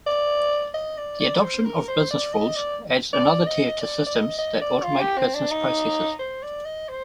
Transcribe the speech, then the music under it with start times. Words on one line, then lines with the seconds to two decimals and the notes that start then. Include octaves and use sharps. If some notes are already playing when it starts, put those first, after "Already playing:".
The adoption of business rules adds another tier to systems that automate business processes.
0.07 D5
0.74 D#5
0.98 D5
1.20 D5
1.43 C5
1.65 A#4
1.88 C5
2.11 D5
2.33 D#5
2.56 D5
3.13 D5
3.47 D#5
3.81 D5
4.06 D5
4.15 D#5
4.39 D#5
4.61 D5
4.83 F4
5.00 G4
5.18 C4
5.34 D4
5.51 D#4
6.19 C5
6.43 D5
6.65 D#5
6.88 C5